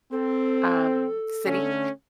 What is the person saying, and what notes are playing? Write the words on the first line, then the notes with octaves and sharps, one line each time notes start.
um, city.
C4 A4
D3 A3 C#4